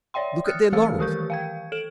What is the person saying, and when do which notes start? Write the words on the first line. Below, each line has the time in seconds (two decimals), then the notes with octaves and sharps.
Look at their laurels.
0.14 C#5 D5 E5 G5 C6
0.45 D#6 F6 F#6 A6 C#7
0.72 E3 A3 A4 F5 E6 A6
0.98 D#3 E3 G4 A#4 C#6 G6
1.30 F5 G5 G#6
1.72 A4 D7 E7 F#7